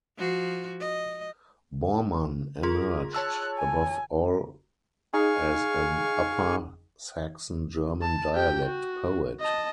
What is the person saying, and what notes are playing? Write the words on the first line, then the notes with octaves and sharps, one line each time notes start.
Bormann emerged above all as an Upper Saxon German dialect poet.
F3 F#4
D#5
F4 G#4 A#4 C6
C#5 A5 E6 F#6
G#5
D#4 G#4 F5 G#5 C#6
A5
G4 G5
F#4
D#5 A5